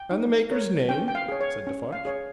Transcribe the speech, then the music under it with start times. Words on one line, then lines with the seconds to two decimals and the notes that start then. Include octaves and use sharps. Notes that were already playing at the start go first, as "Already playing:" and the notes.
"And the maker's name?" said Defarge.
Already playing: G5
0.11 D#4
0.51 A#4 C#5
0.89 C#4 G5
1.08 G5
1.15 F5
1.28 G#4 C#5
1.41 C#5
1.67 C#4
1.93 F5
2.05 G#4 C#5